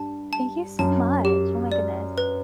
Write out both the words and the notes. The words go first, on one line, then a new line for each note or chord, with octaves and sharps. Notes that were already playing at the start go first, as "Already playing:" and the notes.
Thank you so much. Oh my goodness.
Already playing: G2 A5
A5
F#2 A5
G4
D5
B4